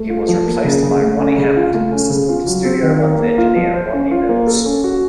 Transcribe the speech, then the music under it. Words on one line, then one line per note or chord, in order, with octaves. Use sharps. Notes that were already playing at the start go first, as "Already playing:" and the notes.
He was replaced by Ronnie Hammond, assistant to Studio One's engineer Rodney Mills.
Already playing: A3
F4
F3
A#3
C#3
C#3
A3
C#4
C#3
F4
A3
C#4
C#3
F4
F#3
C4
D#3
A#4
A#3
F4
F3
C5
C#4
F4
A#3
A4
C#4
F#4